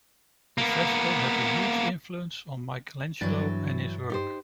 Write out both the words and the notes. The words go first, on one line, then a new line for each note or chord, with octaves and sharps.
The fresco had a huge influence on Michelangelo and his work.
A#3 B3
G2 E3 F#3 D4 A6
D#4 G4 C5